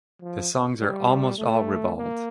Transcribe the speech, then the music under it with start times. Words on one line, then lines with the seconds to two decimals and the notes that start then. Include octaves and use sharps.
The songs are almost all ribald.
0.22 F3
0.81 G3
1.39 A3
1.98 A#3